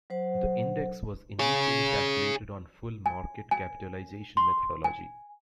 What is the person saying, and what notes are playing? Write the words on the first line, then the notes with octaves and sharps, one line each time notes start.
The index was initially calculated on full market capitalisation methodology.
F#3 C5 F#5
G#4 C#5
G#5
G#5
C6
G#5